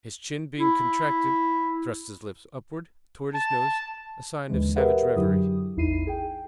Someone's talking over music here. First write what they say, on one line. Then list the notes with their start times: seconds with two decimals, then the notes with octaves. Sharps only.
His chin being contracted, thrust his lips upwards towards his nose, a sign of savage revery.
0.59 E4
3.33 A5
4.49 D#2 D3 E3 G#3
4.76 G4 G#4 A#4 B4 E5 F#5
5.16 F#2 D3 F#3 E4 G4 D#6
5.76 A1 E2 D#4 E4 C7 D#7
6.07 G#4 G5